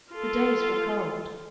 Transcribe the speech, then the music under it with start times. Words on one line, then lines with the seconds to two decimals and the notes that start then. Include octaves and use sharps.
The days were cold.
0.12 F4 A4